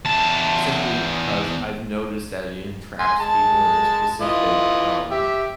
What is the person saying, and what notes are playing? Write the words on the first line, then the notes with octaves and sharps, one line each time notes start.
simply because I've noticed that it entraps people in a specific, um,
E2 A5
G#5 C6
G#3 A5
E3 F4 D#5
G4 E5